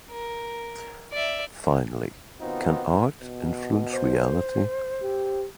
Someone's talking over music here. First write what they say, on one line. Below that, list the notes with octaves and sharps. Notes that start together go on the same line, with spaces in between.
Finally, can art influence reality?
A#4
D5 E5
D#3 B3 C4 D#4 F4 F#4
B2
C5
G4